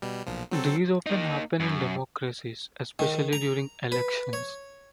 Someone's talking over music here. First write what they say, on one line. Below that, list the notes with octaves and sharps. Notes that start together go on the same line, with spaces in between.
These often happen in democracies, especially during elections.
B2 G3
B1 A#2 F3
F#3 C4 A4
A#3 D#4
F#2
D#3
A#5
B4
C#5